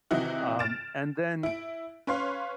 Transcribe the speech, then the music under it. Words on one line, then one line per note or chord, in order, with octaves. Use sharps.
Um, and then
C3 D#3 E3 D#4 E4 F#4
F6 A6 D7 E7
E4 D7
C#4 B4 C#5 F5 C6